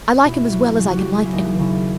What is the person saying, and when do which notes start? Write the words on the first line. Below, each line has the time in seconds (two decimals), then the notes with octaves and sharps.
I like him as well as I can like any one.
0.25 B2 E4
0.52 F#3
0.79 C#3
0.89 F#4
0.97 G4
1.05 F#3
1.15 G#4
1.25 E4
1.33 D#2 D#4
1.59 C#3 E4